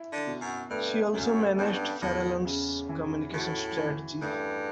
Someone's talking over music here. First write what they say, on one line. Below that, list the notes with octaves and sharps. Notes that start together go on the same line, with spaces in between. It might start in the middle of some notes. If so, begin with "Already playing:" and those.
She also managed Farallon's communication strategy.
Already playing: E4
D3
B2
F#2
G2 A3
F#2 C#4
G2 B3
A2
G2
E2 A2
C#3
E3
A2 F#4
E3
G2 A3